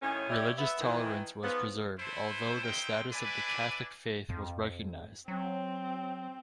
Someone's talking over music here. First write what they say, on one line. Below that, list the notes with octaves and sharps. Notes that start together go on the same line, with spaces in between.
Religious tolerance was preserved, although the status of the Catholic faith was recognized.
D#2 A2 D#3 C#4
G3 A3 G4 C#5 E5
B3 E5
D#3 E3
G#2 F3 B3
E4 A4 B4 C5
C4 D#4 E4 B4 C5 G5
D4 E4 B4 D5 G#5 B5
F2
F#3 C4